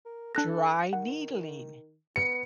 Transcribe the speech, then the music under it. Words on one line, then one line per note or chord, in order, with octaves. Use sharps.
dry needling?"
A#4
D4 A4 F#6 A#6
D#3 F#5
B3 C#7